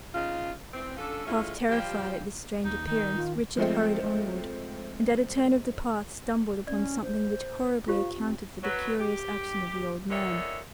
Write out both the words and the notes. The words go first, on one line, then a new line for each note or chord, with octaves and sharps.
Half-terrified at this strange appearance, Richard hurried onward, and at a turn of the path stumbled upon something which horribly accounted for the curious action of the old man.
C#3 D#4 F4
E3 C4
C#4 D4 F4 A4
G#3 A3 C#4 E4 F4
F3 G3 F4 G4
D#2 D#4
D#3 D#4
F4
F3 G#3 A3 C4
C#4 D5
C5
F4 G4 C5 F5
C4
F#3 B4
G4
A#2 D3 D#3 C#5 E5